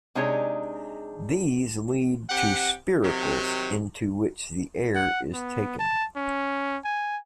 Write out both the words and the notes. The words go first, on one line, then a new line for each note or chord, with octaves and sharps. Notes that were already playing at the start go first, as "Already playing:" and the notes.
These lead to spiracles into which the air is taken.
C3 G#3 D4 D#4 G#4 C#5
C3 G4 F#5
C3 D#3 F#3
F#5
B3
A5
C#4
G#5